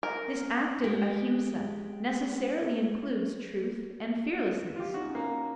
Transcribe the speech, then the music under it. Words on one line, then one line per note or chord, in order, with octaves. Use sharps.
This active Ahimsa necessarily includes truth and fearlessness.
A#4
G#3 G4
F4 G4
C#4 D#4 E4 F#4
A#3